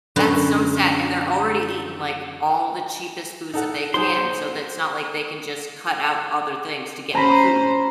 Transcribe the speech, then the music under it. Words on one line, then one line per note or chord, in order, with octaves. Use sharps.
That's so sad, and they're already eating like all the cheapest foods that they can, so that it's not like they can just cut out other things to get more food.
F#2 D3 B3 F#4
D#4 A4 F#5
F#3 D#4 G#4 C5 C6
C#4 C5 A#5 B5